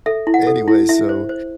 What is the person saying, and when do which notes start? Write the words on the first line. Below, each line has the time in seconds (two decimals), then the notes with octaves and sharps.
anyway, so,
0.06 A4 E5
0.27 E4
0.34 F#5
0.47 A4
0.68 E4
0.89 E4 E5
1.09 C5
1.29 C5